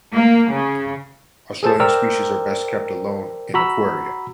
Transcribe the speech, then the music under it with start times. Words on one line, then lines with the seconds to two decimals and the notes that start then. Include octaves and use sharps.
Australian species are best kept alone in aquaria.
0.13 A#3
0.52 C#3
1.63 G#4 A4 C5 A5
1.80 A#4 C5 D5 G5 A#5 E6
3.54 F#4 A#5 B5 E6